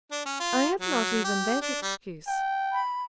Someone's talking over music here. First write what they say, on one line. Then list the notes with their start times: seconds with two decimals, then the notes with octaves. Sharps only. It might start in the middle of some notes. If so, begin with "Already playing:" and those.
'I have not even that excuse.
0.11 D4
0.25 C#4
0.40 F4
0.81 F#3
1.24 G4
1.62 D4
1.82 G3
2.28 G5
2.73 B5